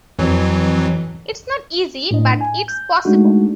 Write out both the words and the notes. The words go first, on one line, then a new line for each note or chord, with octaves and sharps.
It’s not easy, but it’s possible.
F2 E3 F#3
A2 D4 D#5
G#5
G6
G#3 A3 D4 D#4 F#4